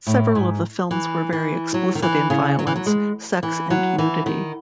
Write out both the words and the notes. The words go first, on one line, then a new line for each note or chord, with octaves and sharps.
Several of the films were very explicit in violence, sex and nudity.
A2
G#2
E3
E3
F#3
D#3
E3
C#3
F#3
E3
F#3
G#3
E3
F#3
E3
D#3